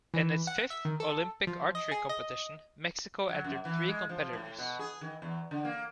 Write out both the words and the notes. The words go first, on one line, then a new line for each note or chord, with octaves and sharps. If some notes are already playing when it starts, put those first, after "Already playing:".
In its fifth Olympic archery competition, Mexico entered three competitors.
E3
F#5
E5
D#3
A4
F3
D#5
G#4
D#5
F#3
F#2
E3
G#3
F3
A2
B2
G#4
D#3
E2
D3
A#3